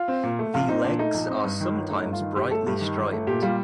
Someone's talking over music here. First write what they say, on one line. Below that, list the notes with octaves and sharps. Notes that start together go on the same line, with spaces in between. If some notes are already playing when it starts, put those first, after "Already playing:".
The legs are sometimes brightly striped.
Already playing: F4
C4
A#2
A3
A#1 F4
C4 D#4
A#2 D4
A3 D#4
A#1
C4
G2
D#3
G1
A3 D#4
G2
F4
D#3
G1 G4
A3 A4
G2 G4
D#3
G1
A3
A#2 G4
G3 F4